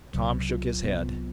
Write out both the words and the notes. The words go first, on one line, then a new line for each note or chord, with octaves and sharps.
Tom shook his head.
C2 C3 F#3
F4
C2 C3 B3